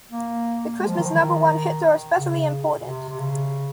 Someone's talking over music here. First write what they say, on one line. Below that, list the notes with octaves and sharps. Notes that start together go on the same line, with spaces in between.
The Christmas number one hits are especially important.
A#3
G#3
F3
D#3
F3
D#3
C#3
C3
C3
C#3